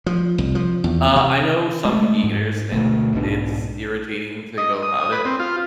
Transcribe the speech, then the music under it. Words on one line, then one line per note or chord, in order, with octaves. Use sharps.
Uh, I know some picky eaters- and it's irritating to go about it-
F3
C2
F3
E2
C3
G#3 A3
G#2
D2 B2 A3
B1 G#2 B2 D4
D#5
D#6
B4
C4
F4